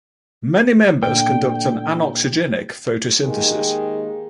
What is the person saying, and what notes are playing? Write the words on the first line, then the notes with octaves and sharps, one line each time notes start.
Many members conduct an anoxygenic photosynthesis.
A#2 D3 G5
D#3 G#3 A#3 G4 G#4